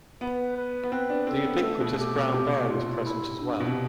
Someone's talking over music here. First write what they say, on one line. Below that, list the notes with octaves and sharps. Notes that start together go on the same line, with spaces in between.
The ubiquitous brown bear was present as well.
B3 B4
B4
B3
C4 B4
D4
C4 A4
B3
A3 A4
B2
G4
B2
C3 G4
F4
E4
D4
B2
C3